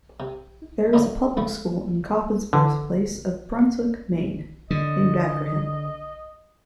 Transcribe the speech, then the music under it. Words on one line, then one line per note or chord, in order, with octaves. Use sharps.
There is a public school in Coffin's birthplace of Brunswick, Maine, named after him.
C3
A2 D3 A#3 C#4 D#4 E4
C#2 F3 A3 E4
D3
D3 D#5